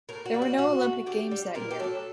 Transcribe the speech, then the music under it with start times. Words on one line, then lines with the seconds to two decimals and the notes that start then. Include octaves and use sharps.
There were no Olympic Games that year.
0.09 A2 A#4
0.26 F#4
0.34 G3
0.42 F#4
0.58 A#2 F#4
0.82 A3
1.06 D3 G4
1.31 G3
1.55 A#2 A#4
1.71 G4
1.79 F#3 A3 A4